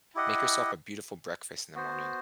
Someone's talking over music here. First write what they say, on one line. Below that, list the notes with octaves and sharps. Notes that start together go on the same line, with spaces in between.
make yourself a beautiful breakfast in the morning.
E4 G4 D#5 F#5
B3 F#4 C5